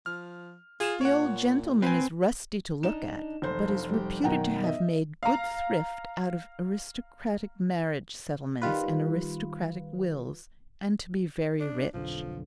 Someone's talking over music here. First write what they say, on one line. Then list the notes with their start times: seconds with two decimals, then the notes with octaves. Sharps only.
The old gentleman is rusty to look at, but is reputed to have made good thrift out of aristocratic marriage settlements and aristocratic wills, and to be very rich.
0.06 F3 F6
0.80 F4 G#4 E7
1.01 A#2 C#5 F#5
1.82 C4 B4 G#5
2.83 D4 D#4 E7
3.42 F1 C5
3.65 F3 D4
3.89 G3 G4
4.24 F#2 B2 D#3 F#5 G5 A#5
4.64 D#5 E5
5.23 F5 A#5
8.62 D#3 G3 F4 B4
11.60 D4
11.94 B1 F2 D3 F3